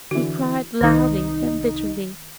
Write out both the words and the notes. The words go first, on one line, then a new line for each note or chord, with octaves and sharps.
He cried loudly and bitterly.
D3 E3 F#4
C2 D#3 D#4